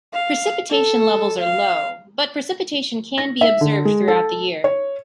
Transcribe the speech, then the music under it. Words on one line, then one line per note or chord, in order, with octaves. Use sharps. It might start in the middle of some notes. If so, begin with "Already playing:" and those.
Precipitation levels are low, but precipitation can be observed throughout the year.
F5
A4
F5
A#6
E5
D3
G#3
A4
C#5